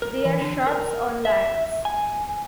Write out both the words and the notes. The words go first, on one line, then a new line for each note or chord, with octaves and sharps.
They are shrubs or lianas.
A#4
E3
D3
A#4
E5
G#5